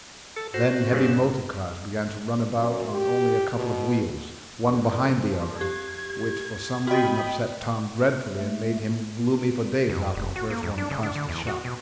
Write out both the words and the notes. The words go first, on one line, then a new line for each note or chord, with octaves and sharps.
Then heavy motor-cars began to run about on only a couple of wheels, one behind the other, which for some reason upset Tom dreadfully, and made him gloomy for days after the first one passed the shop...
A4
F#4 C5
G2 C#3
F#2
G4
B2
E2 D3
F2 F3
G4 G#6
F#4 D#5 G5 B5 D#6
A3
F2
F1
F#4
A#3
F2
D4
C#3
D4
D3
E2
F#4
B2